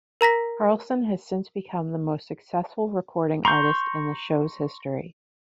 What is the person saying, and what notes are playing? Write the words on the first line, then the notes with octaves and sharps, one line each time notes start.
Carlsson has since become the most successful recording artist in the show's history.
A#4 A#5 A#6 B6
A#5 C6 C#6 G6